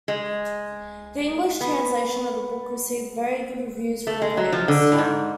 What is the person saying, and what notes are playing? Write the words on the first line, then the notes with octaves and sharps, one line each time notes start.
The English translation of the book received very good reviews from critics.
G#3
B3
A3
G#3
F#3
F3
D3
A2
G#2